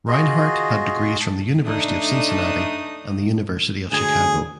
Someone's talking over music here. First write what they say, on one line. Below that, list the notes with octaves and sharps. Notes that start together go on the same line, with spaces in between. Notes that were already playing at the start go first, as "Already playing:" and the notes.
Reinhardt had degrees from the University of Cincinnati and the University of Chicago.
F4 F#4 G#4 D#5
A5
A3 D4 D#4 D#6
D2 G#4 G#5